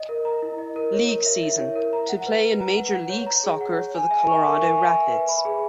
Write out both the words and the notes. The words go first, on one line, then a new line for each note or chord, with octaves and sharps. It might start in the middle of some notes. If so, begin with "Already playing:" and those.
League season to play in Major League Soccer for the Colorado Rapids.
Already playing: D#5
A#4
A#5
E4
D#5
A#4
C#5
A#4
E5
E4
C#5
A#4
A#5
F#5
B4
B4
A#5
F#5
F#5
C#5
A#5
G#4
F#5
C#5
G#5
E5
C#6
A#4
G#5
E5
E5
B4
B5
G#4